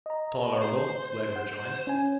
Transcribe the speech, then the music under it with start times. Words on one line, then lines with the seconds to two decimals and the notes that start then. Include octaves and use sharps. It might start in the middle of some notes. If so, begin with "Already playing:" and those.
'Tolerable,' Wegg rejoins.
0.06 D#5 A#5
0.62 C5
1.36 F#5
1.87 C#4 G#5